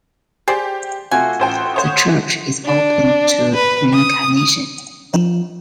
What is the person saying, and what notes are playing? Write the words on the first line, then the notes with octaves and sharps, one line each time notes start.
The church is open to reincarnation.
G4 G#4 C5 D5
C3 A3 F4 F#4 G#5
A1 C5 G5
C5 C#5 D#6
D4
B4
D#6
F3